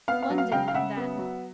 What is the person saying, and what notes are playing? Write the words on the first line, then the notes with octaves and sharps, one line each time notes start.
"London, then."
B3 F5
F5
F#3
F5
C#3 F5 G5
F5
C#3 E5 F#5
B3
F#3